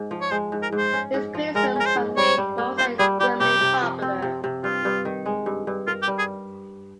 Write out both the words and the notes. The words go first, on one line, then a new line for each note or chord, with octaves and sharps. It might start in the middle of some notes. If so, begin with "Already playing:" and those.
His criticisms have made Moussa extremely popular.
Already playing: G#2
F3
C#5
G#3 C5
G#2
A#4
G#2 C5
C#4
G#2
F3
G#3 A#4
C#4 A#4
C5
G#2
G3 C#5
G3
A#3
F4 C5
G3 G#4
G3 G4
C3 G4
C3
F3
C4
C3
C3
G2 F4
G2
D#3
G#3
G2
G2
F4 A#4
G4
G3
G#4